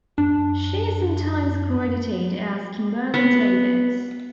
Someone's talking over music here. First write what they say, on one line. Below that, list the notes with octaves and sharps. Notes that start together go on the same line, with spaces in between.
She is sometimes credited as "Kimberly Davies".
F#2 D4
B3